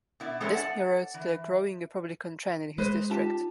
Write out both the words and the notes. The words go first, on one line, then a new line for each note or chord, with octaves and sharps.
This mirrored the growing Republican trend in his district.
B2 E4 D5
G#3 A3 C4 G#4 A4 C#5
D5 F#5 A5
E3
G#3 B4 C5
C#4 D#4 F4 G4 A5